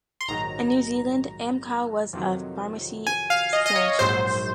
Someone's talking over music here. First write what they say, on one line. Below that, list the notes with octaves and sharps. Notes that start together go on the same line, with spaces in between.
In New Zealand, Amcal was a pharmacy franchise.
C6
A#1 G#2 D#3 F#3 A#5
F2 C3 D#3 F#3
G#5
F5
D#5
D#5
C#5
A#1 G#2 F#3 C5